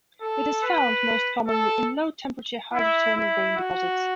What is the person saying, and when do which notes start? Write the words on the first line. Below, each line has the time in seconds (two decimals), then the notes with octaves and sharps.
It is found most commonly in low temperature hydrothermal vein deposits.
0.22 A4
0.63 B4
1.48 A4
2.73 E4
3.15 E4
3.57 F#4